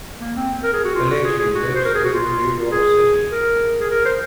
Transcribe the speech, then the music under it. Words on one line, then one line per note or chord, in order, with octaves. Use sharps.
Pileggi lives in New York City.
A#3
C4
A#4
G#4
F#4
F4
F#4
G#4
G#4
F#4
C5
A#4
G#4
F#4
F4
G#4
A#4
G#4
A#4
C5